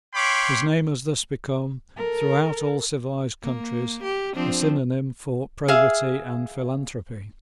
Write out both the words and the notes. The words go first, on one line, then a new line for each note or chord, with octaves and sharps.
His name has thus become, throughout all civilised countries, a synonyme for probity and philanthropy.
C#5 F5 G5 B5 C6 D6
A4 A#4
A#3
G4
F3 C4 D4
G#4 E5 F5